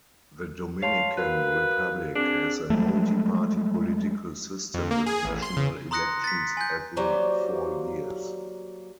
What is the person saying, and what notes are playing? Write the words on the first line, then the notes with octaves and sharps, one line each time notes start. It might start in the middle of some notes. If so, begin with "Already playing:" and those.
The Dominican Republic has a multi-party political system with national elections every four years.
C#5 F5 A5 C6
F#4 A#4 B4 F5
C4 D4 G#4
F3 F#3 G#3 A3
F2
A#3
G#4
A1
C6
C#3
A#5 C6 D#6 F#6 A#6 C#7
A6 B6
G#5 G6
F#3 G3 A#3 C5